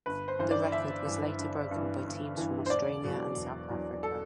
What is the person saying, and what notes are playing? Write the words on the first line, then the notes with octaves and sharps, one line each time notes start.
The record was later broken by teams from Australia and South Africa.
G1 B4
C5
G2 E3 C5
D5
G1 E5
G2 E3
G1
G2 E3
G1
G2 E3
C5
E1 D5
E2 B2 F#3
E1
E2 B2 F#3
A4